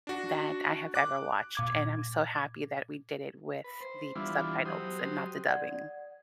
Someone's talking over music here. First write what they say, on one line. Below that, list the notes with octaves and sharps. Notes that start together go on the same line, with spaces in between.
that I have ever watched, and I'm so happy that we did it with the subtitles and not the dubbing.
D4 F#4
D6 F#6
A#2 D6 G#6
B4
C5
E3 G3 B3 D4 E4 F4
F#3 G4 C5 D#6
D5 F#5 G#6